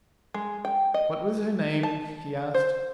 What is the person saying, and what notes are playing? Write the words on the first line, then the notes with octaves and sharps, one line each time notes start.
"What was her name?" he asked.
G#3
G5
D#5
A5
C5